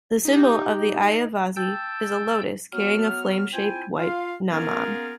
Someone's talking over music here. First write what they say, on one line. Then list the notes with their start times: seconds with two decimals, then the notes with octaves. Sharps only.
The symbol of the Ayyavazhi is a lotus carrying a flame-shaped white 'Namam'.
0.25 D#4 G4
1.56 G5 A5 E6 G6
2.73 F#3 B3 F#4 F6
3.53 C4 E4 F4 G5 G#5
3.99 F4 F5
4.50 A#3 B3 C#4 F4 G#4 A#4